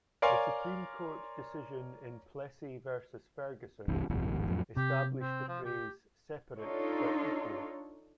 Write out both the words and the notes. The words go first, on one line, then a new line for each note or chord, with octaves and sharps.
The Supreme Court decision in "Plessy versus Ferguson" established the phrase "separate but equal".
A#4 C#5 D5 F5 G#5 C6
F1 C2 G2 E3
D1 G1 C2 F2
D1 G#1 F2 D#3
F2 A2 F#3
C3 G4
C4
F3
G4
D4 D#4 F4 A4 C#5